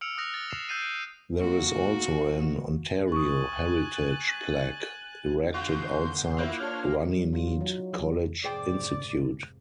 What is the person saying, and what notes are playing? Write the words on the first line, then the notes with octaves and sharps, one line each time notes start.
There is also an Ontario Heritage Plaque erected outside Runnymede College Institute.
E6 F6 C#7 D7 F7
D#6 F6 F#6 A#6 F7
A6
C7 E7 F7
E6 F#6 G6 A6 C7 D#7
D7
A#3 F#4
G#5 C#6 D#6 F#6 A6
D3 F4 F#4 C6 G6
A#3 E4 F4 C5 D6 F#6
D4 C#5 F6
F#3
F4
D#4
F#3
F3
F1 G#2 G#4 C5 D5 G5